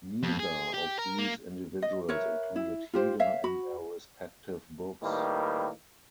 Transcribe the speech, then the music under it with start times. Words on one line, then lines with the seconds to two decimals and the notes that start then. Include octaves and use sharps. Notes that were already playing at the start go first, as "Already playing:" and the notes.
Neither of these individuals included Heda in their respective books.
0.23 F2
0.40 G#4
0.74 G4
0.99 A#4
1.18 A#3
1.82 D#5
2.09 A#4 B4 C#5 E5
2.56 E4
2.93 F4 G4 C5
3.19 C#5 E5 F5
3.44 F#4 B5
5.02 A2 D#3 G3 A#3 B4